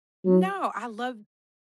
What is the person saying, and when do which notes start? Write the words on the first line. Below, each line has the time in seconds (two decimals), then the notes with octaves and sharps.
No, I love
0.25 F#3